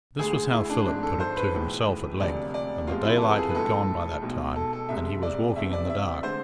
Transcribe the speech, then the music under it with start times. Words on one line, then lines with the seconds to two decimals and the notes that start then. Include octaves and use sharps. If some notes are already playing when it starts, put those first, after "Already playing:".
This was how Philip put it to himself at length, and the daylight had gone by that time, and he was walking in the dark.
0.19 D2 D3 G#3 G#4
0.53 E4
0.70 D4
0.86 G#1 G#2 F3 G#3 D4
1.03 A4
1.20 C5
1.36 B4
1.53 B1 A2 E3 G#3
2.20 E1 D2 C3 F3 D5
2.54 D5
2.87 E2 C3 F3 G#3 F4
3.04 E4
3.17 A4
3.22 B4
3.38 G#4
3.49 B4
3.54 B1 A2 F3 G#3 A4
4.22 B1 B2 G#3
4.56 A4
4.73 A4
4.89 C2 C3 G#3 E5
5.23 D5
5.56 E2 C3 E3 E5
5.73 D5
5.90 E5
6.23 D3 G#3 C5